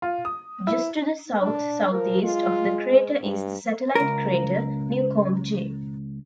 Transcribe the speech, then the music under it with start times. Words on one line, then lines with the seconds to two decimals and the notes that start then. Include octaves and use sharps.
Just to the south-southeast of the crater is the satellite crater Newcomb J.
0.02 F4
0.25 D#6
0.67 E4
1.42 D4
1.92 F3 A#4
2.24 G#3 F4
3.23 G2
3.95 C#2 A#4